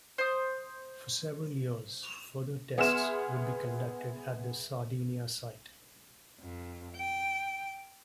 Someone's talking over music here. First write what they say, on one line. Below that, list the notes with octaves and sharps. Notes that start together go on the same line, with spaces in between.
For several years, further tests would be conducted at the Sardinia site.
C5 D#6
B3 G#4 E5 C6 F6 E7
F2
G5